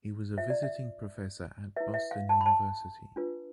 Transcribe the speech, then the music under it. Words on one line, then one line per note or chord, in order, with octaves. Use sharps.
He was a visiting professor at Boston University.
F4 C5 E5
D5
E5
E4 B4 E5
E5
F5
A5
B5
A5
D4 F4 B4